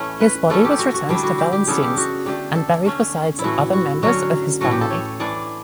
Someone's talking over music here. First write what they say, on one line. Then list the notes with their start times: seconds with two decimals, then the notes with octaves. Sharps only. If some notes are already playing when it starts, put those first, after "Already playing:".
His body was returned to Valenciennes and buried beside other members of his family.
Already playing: A2 E3 A3 C#4
0.20 B4
0.50 E3 A3 C#4 A4
0.65 G4
0.79 F#4
0.94 F#4
1.09 D3 G3 D4 E4
1.23 F#4
1.38 G4
1.52 G4
1.67 C#3 E3 B3 D4 A4
1.82 G4
1.97 F#4
2.26 D3 A3 D4 G4
2.55 A4
2.85 D3 A3 C#4
3.39 E4
3.44 A2 E3 A3 F#4
3.58 E4
3.73 F#4
4.03 D3 F#3 C#4 F#4
4.61 A2 E3 A3 F#4
4.71 G4
4.81 A4
4.91 C#5
5.20 E3 A3 D4 D5